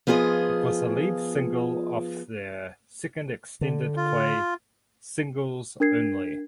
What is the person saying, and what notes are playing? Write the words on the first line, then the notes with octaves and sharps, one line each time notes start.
It was the lead single off their second extended play "Singles Only".
F3 B3 F4 G#4 D#5
D3
F4
D4 A#4 G#6 C7